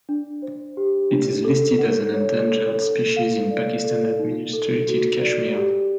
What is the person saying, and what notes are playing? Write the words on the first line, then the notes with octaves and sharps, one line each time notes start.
It is listed as an endangered species in Pakistan-administered Kashmir.
D4
C5
G4
D4
A4
F#5
C#5
A4
A4
F5
D5
A4
D#4
A4
F#4
D5
G4